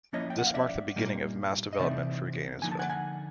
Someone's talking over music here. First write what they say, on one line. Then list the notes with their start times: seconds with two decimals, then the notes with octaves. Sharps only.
This marked the beginning of mass-development for Gainesville.
0.13 F3 A#3 C#4 E4 C#5 D#5
0.30 G5
0.39 F#5
0.47 F5
0.54 D5 E5
0.96 A#2 G3 A#3 D#4
1.73 D#5
1.79 C3 E3 A3 C4 D#4 D5 E5
2.62 D3 F3 A#3 D#4 G#5
2.71 A5
2.79 F#5 G#5
2.90 F#5 G#5